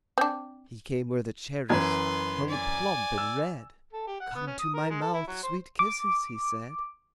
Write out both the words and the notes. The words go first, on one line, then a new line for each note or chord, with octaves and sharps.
He came where the cherries hung plump and red: "Come to my mouth, sweet kisses," he said.
C4 D4
F#2 E3 B4 C6 G#6
D5 G#5
E6
A4
G4
F#5
B3
C#4
D#6
A#4
G#3
A4
E4
F#3
C5
D6